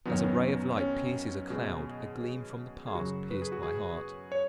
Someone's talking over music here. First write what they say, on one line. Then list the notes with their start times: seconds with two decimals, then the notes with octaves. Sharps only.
As a ray of light pierces a cloud, a gleam from the past pierced my heart.
0.05 F#2 D#3 F#3 B3
0.13 C#4
0.22 B3
0.78 C#4
1.50 B2 G#3
2.87 G#4
2.95 F#2 C#3 F#3 F#4
3.31 B4
3.42 G#4
3.52 F#4
3.63 G#4
4.32 C#5